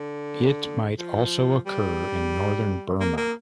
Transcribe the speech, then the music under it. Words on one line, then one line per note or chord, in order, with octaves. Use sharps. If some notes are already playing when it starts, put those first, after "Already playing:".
It might also occur in northern Burma.
Already playing: D3
F3
G3
A#3
A#3